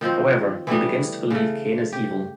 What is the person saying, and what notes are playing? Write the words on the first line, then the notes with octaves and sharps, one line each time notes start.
However, he begins to believe Kane is evil.
D#3 F3 F#3 C4
E3 G3 A3 B3
C#3 A3
G4